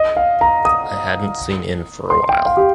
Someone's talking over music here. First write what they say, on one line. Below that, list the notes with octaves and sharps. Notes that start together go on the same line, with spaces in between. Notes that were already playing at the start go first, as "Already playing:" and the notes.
I hadn’t seen in for a while.
Already playing: D#5
F5
A#5
D#6
C6
G5
F5
G4